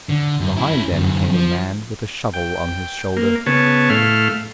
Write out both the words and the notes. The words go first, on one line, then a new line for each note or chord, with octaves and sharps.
Behind them came a man, with a shovel on his shoulder.
D3
F#2
C#4 E4
F#2 D3
F3
G5
A#3
C#3 B3 C#5 A5
A2 A3 F5 F6